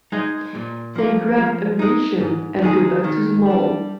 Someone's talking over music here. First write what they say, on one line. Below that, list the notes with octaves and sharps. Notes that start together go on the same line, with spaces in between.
They grab ammunition and go back to the mall.
G#3 D#4 G#4 D#5
A#2
F3 A#3
F3
G#3 D#4
G#2
D#3 G#3 D#4 G#4
D#3
G3 D4